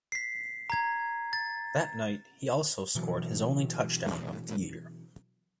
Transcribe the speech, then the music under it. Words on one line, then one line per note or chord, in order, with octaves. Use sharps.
That night he also scored his only touchdown of the year.
B6 C7
A#5 G#6
A6
B2 E3 F#3